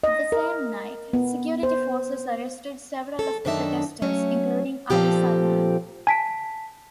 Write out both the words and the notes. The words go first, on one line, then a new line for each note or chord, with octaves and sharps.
The same night, security forces arrested several of the protesters, including Ali Salman.
D#5
A#4
B3
C5
A4
F#2 D#3 D4 D#4 E5 A5
F#3 A3 C#4
A#2 F3 C4 G4 A4
G#5 A5 B6 D7